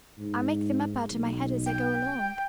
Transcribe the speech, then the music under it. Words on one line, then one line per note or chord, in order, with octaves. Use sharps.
"I make them up out of my head as I go along."
G#2
B1
G5